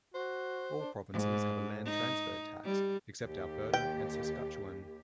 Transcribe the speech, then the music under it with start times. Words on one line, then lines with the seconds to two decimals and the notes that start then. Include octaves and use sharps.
All provinces have a land transfer tax, except Alberta and Saskatchewan.
0.14 F#4 C5
0.80 D4
1.12 G#2
1.86 D#4
2.64 G3
3.24 D#2 G4
3.74 G5